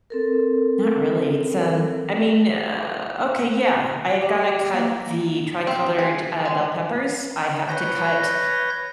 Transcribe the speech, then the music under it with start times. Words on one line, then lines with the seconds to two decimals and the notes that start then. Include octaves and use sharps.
Not really. It's, um, I mean, uh okay, yeah. I've gotta cut the tri-colored, uh, bell peppers. I have to cut
0.10 C4 A4 A#4
4.21 G4
4.74 A#3
5.67 C4
5.99 G#4
6.45 G#3
7.69 B4 C#5 G6 A#6